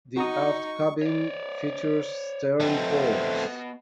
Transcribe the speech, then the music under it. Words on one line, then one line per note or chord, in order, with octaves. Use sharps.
The aft cabin features stern ports.
D#4 F#4 A#5 C#6 D#6
C#5 D5
A3 B3 C4 D#5